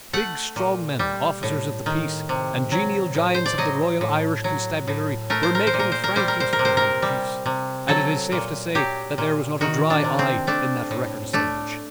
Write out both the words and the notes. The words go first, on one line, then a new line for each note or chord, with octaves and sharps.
Big strong men, officers of the peace and genial giants of the royal Irish constabulary, were making frank use of their handkerchiefs and it is safe to say that there was not a dry eye in that record assemblage.
A3 F#5
A#2
G3
A2
D#3
C3
F#3
A2
C5
D5
F#3 D#5
A2
F#3
A2
A3 A#4
C5
A#4
C5
A#2
A#4
C5
A#4
G3 C5
A#4
C5
A#4
C3
C5
A#4
G3
C3
F#3 A4
A#2
F#3 G4
A#2
D#3 F#4
D4
C3
C4
A3 D4
A2
A3 D4